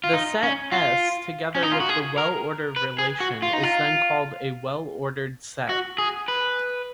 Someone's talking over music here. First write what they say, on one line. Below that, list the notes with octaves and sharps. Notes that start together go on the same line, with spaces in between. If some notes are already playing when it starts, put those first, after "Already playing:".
The set "S" together with the well-order relation is then called a well-ordered set.
F4
D#4
C#4
F4
C#4
D#4
F4
F#4
G#4
A#4
B4
G#4
F#4
F4
D#4
F4
F#4
G#4
B4